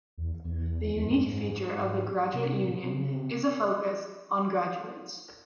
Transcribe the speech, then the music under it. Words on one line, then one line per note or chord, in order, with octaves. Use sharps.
The unique feature of the Graduate Union is a focus on graduates.
E2
E2
E2
G#2
F#2
G#2
C3
A2
A#2
B2
C3
C#3
C3